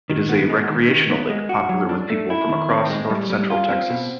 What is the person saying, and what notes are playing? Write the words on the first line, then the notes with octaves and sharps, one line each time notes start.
It is a recreational lake popular with people from across north central Texas.
D#3
B3
G#3
D#3
D#3
B3
G#3
F#4
F#3
D4
A3
E4
D#3
C4
G#3
G3
G3
F4
C4
B2